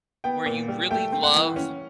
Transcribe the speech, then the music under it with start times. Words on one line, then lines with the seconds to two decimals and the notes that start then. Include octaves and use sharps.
where you really love
0.24 B3 G5
0.46 A#2
0.68 G3
0.91 A3 G5
1.12 C4
1.23 F#5
1.34 E3
1.56 C#4